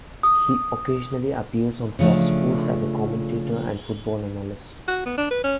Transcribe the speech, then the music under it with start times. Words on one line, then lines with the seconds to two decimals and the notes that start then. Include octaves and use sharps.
He occasionally appears on Fox Sports as a commentator and football analyst.
0.23 D#6
1.99 C#3 F3 A3 D4
4.88 F#4
5.06 B3
5.18 D4
5.31 B4
5.44 C#4